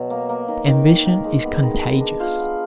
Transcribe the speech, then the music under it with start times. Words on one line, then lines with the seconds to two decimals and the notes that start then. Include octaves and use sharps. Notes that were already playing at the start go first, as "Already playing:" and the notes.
Ambition is contagious.
Already playing: B2 F#3
0.10 A#3
0.29 A#3
0.48 D#3
0.67 D#3
0.86 D#3
1.05 D#3
1.24 G#3
1.44 B3
1.63 D#3
1.82 G#3
2.00 D4
2.20 F4
2.39 B3